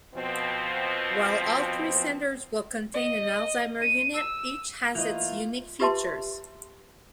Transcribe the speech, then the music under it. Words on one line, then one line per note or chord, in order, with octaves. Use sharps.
While all three centres will contain an Alzheimer unit, each has its unique features.
B2 F3 C4
D#5
D#7
E6
E3 A3 A#3 F4 D#5
F4 G4 B4 E5 A5 C6